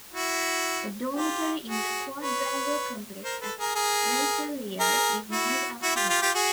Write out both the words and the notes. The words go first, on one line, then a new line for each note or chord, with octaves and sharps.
A dormitory in the Quadrangle complex at Rensselaer is named after him.
E4 F#4
F4 G4
F#4 G#4
B4 C#5
A#4 C5
A4 B4
G#4 A#4
G#4 A#4
G#4 A#4
E4 F#4
E4 F#4
F4 G4
F4 G4
F4 G4
F#4 G#4